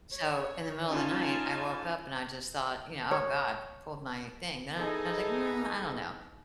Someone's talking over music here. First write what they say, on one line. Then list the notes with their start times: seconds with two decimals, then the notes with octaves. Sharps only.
so in the middle of the night, I woke up and I just thought, you know, "Oh, god, pulled my thing," then I was like, "Mm, I don't know."
0.13 C#5
0.89 C#4 D#4 F4 G#5 A5
3.11 C#5
4.77 E3 D#4 G#4 A4 D#5 G#5